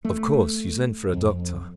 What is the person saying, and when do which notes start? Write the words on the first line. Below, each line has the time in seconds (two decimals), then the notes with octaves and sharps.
"Of course you sent for a doctor?"
0.05 A3
1.13 F2